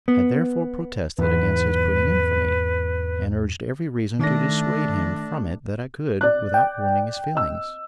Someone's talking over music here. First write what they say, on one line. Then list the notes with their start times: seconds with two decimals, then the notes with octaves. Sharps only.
I therefore protested against his putting in for me, and urged every reason to dissuade him from it that I could, without wounding his feelings.
0.08 B3
1.18 E2 G#2 E3 B4
4.19 D#3 A3 D4 A#6
6.21 D5 F#6
6.54 G5
7.35 D#5 E6